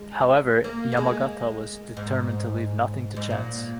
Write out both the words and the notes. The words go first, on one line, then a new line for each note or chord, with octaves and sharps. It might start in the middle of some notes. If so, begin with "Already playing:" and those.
However, Yamagata was determined to leave nothing to chance.
Already playing: G#3
A#3
A#3
G#3
G#2
G#2
A#2